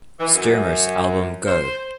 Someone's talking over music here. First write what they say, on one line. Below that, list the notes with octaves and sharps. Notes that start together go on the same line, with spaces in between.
Stuermer's album Go!
E3
F#2
C5